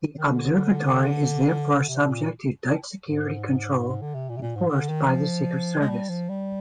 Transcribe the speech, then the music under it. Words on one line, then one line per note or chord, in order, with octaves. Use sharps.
The Observatory is therefore subject to tight security control enforced by the Secret Service.
D#3
D3
C3
A#2
G#2
G#2
D3
C3
A#2
C3
A#2
G#2
D3
D#3
F3
G#3
G3
F3
G3